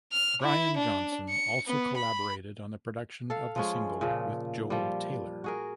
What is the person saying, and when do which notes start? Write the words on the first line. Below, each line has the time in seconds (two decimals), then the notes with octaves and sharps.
Brian Johnson also collaborated on the production of the single with Joel Taylor.
0.12 F6
0.42 E4
0.77 D4
1.30 C#7
1.67 B3
1.96 B5
3.30 A4 F5
3.56 F3 G#3 C#4
4.01 A#2 C#3 F3
4.70 F3 G3
5.44 F#4 G#4 A#4